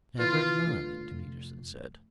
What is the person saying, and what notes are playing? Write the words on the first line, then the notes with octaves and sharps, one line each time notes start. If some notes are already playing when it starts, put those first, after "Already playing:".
"Never mind," Peterson said.
C3 E3 B3 E4 F4 B4
D3 A3 D4 F4
F2 C3 F3 A3